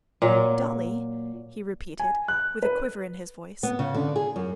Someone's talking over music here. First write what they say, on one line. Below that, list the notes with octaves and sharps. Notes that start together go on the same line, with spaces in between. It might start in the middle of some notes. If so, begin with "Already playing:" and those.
"Dolly!" he repeated, with a quiver in his voice.
A#2 F#3
G#5
F#6
B4
B3
C#3
D3
G#4
F#2